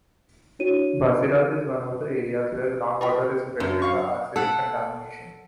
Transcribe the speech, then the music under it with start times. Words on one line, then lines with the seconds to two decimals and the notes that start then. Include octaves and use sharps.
Basirhat is one of the areas where ground water is affected by arsenic contamination.
0.59 D4 E4 F#4 C#5 D#7
3.01 F4 A#4 G5
3.60 F#2 F#3 D4
3.82 F5 C#6
4.36 A4 F#5